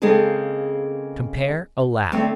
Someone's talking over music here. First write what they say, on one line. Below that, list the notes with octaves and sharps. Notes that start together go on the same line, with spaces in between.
Compare ALLOW.
C#3 G#3 A#3 C4 G#4 A4
D3 A3 C4 C#5